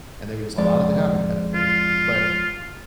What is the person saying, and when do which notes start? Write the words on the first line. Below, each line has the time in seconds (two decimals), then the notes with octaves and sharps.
and they were just allowed it to happen kinda thing, but
0.58 F2 G#3 D5
1.55 F4